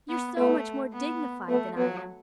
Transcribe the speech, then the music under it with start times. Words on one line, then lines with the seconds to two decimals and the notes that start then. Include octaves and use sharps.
You're so much more dignified than I am.
0.09 B3
0.37 A3 B3
0.93 B3
1.49 A3 B3
1.77 F#3 B3